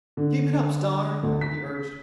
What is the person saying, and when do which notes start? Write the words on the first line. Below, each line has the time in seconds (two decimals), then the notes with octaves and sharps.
"Keep it up, Star!" he urged.
0.17 D3
1.23 D2
1.41 B6